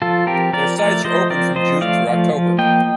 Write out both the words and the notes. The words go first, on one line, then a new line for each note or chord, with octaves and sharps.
Their sites are open from June through October.
F3 F4 A4
C4 G4 A#4
F3 A#4 D5
A3 A#4 D5
F3 C5 D#5
C4 A#4 D5
F3 C5 D#5
A3 D5 F5
F3
F3
A#3 D#5 G5